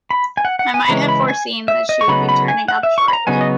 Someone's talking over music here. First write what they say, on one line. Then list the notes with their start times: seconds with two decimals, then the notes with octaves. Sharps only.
I might have foreseen that she would be turning up shortly.
0.11 B5
0.37 G#5
0.45 F#5
0.59 F#5
0.74 G#5
0.85 B5
0.89 C#3 E3 G#3 C#4 A#5
1.09 B5
1.28 G#5
1.68 E5
1.89 D#5
2.01 C#6
2.08 C#3 F#3 B3 D#4 B5
2.29 B5
2.48 G#5
2.68 F#5
2.83 E5
2.98 C#6
3.08 B5
3.13 A#5
3.27 C#3 F#3 B3 D#4 G#5
3.41 D#5